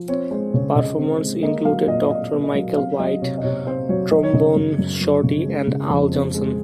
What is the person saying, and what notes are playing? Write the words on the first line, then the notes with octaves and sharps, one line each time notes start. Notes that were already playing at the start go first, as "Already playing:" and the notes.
Performers included Doctor Michael White, Trombone Shorty and Al Johnson.
Already playing: F3
C4 C#5
G#3 C5
C#3 C#5
C#3 D#5
C4
G#3
A#3 D#5
F#3 F5
A#2 D#5
A#2 D#5
A#3
D#5
F#3
C4 F5
F#3 D#5
C3 C#5
D#5
C3 C#5
C4 C5
F#3 C#5
F#3 D#5
C#5
C#3 D#5
F#2
F#2
F#3
C#3
G#3
C#3
F2
C4
G#3